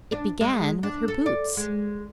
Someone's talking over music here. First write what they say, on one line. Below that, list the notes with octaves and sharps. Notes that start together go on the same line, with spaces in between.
It began with her boots.
D4
G#3
D4
A4
D5
G#3